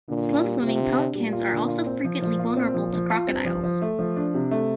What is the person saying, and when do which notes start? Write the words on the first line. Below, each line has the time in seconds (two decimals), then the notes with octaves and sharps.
Slow-swimming pelicans are also frequently vulnerable to crocodiles.
0.09 A#2 D3
0.28 D4
0.44 G3
0.62 C3 F4
0.80 D3
0.97 D4
1.15 A#2 G3
1.33 F4
1.51 D3
1.68 F4
1.86 C4
2.04 F3
2.22 A#2 F3
2.39 F4
2.57 C4
2.74 F3
2.93 F3
3.10 F4
3.27 G2 C4
3.45 F3
3.63 F3
3.82 A3
3.99 F3
4.17 D4
4.34 C3
4.51 A3